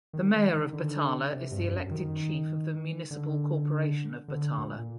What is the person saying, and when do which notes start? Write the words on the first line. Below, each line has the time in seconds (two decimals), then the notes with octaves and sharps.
The Mayor of Batala is the elected chief of the Municipal Corporation of Batala.
0.13 D#3
0.54 D#3
0.73 D3
1.32 C3
1.51 G2
1.72 F#2
1.91 D#3
3.10 D3
4.28 D3
4.58 A#2